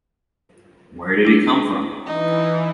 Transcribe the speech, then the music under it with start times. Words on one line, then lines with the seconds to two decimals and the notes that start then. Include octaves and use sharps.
Where did he come from?
1.25 D4 E4
2.06 E3 D#4